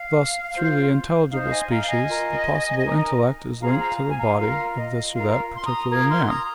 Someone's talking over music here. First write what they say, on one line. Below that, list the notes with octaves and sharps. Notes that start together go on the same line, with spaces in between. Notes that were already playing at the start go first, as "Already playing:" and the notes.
Thus through the intelligible species the possible intellect is linked to the body of this or that particular man.
Already playing: F5
F4 C5
D#4 C5 F5
F5
D#5 G#5
F5 A#5
D#5 G#5
F4 A#4
D#4 A#4
F4 G#4 C5 F5 A#5
F5 A#5
G#5
F5 A#5
F4 A#4 F5
D#5
F4 A#4 F5
C6
A#5 D#6
F4 A#4 D#6 G#6
C6 F6
A#5 D#6